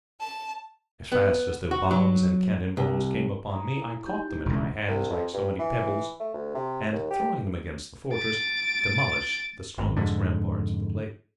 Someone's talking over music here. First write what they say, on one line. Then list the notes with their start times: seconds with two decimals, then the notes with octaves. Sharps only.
As fast as the bombs and cannon-balls came upon me, I caught them in my hands like so many pebbles, and throwing them against the fortress, demolished the strongest ramparts of the place.
0.19 A5
1.12 B3
1.71 F#4
1.91 F#3
2.77 C2
3.50 G#5 A#5 D#6
3.77 E4
4.06 D#4 G4 G6
4.28 E4
4.46 E1 C#2
4.88 C2
5.11 F2
5.33 G2
5.59 E3
6.20 A3
6.34 D2
6.55 C3
6.92 D#2
7.10 G4
8.14 A6 D7
9.78 G#1
9.97 F2 G#2 D3